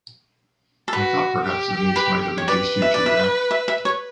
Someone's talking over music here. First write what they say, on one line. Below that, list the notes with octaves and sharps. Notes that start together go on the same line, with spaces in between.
I thought perhaps the news might have induced you to retract.
A4
F#4 B4
G4
B4
C#5
B4 D5
E5
D5
E5
E5
E5
C#5